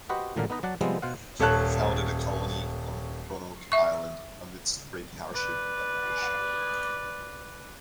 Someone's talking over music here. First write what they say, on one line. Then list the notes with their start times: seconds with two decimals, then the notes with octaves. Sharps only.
He founded a colony on Roanoke Island amidst great hardship and deprivation.
0.09 F#4 G4 B4 C5 D#5 F#5
0.36 A1 A#2 D3 F#3 D4 A#4
0.50 B3 D#4 B4 D#5
0.63 F#3 D5 F#5 A5
0.81 C3 F3 G3 G#3 B3 C4
1.02 B2 C5 F5 F#5
1.40 D#1 A4 C#5 A5 F#6
3.72 E5 C#6
5.33 B4 D5